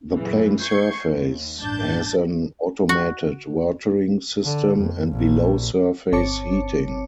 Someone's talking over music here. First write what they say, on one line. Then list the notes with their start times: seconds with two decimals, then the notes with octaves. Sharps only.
The playing surface has an automated watering system and below-surface heating.
0.15 F#2 A#2 C#3 E3
0.60 C#6 G6 G#6 C7 C#7
1.13 D#2
1.59 A1 G2 D4 A5 G6 A6
2.89 F#4
4.44 D3
4.77 F2
5.11 A#1
6.12 G1 C4 C#5 A5 D6 C#7